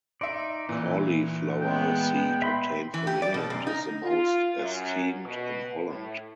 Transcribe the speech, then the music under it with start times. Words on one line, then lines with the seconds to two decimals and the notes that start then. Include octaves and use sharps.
Cauliflower seed obtained from England is the most esteemed in Holland.
0.21 D#4 D5 E5 C6
0.69 A#2 E3
1.61 G#3 B3 G5
2.42 E5 B5 C6
2.94 E3
3.07 G4
3.22 D5
3.34 B2
3.50 F#2
3.67 D#4
4.04 F4
4.57 F#2
5.25 B2
5.87 A2